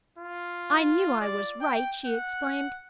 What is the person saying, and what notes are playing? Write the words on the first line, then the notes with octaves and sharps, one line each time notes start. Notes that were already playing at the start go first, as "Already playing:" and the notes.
"I knew I was right!" she exclaimed.
F4
D5
G5
F#5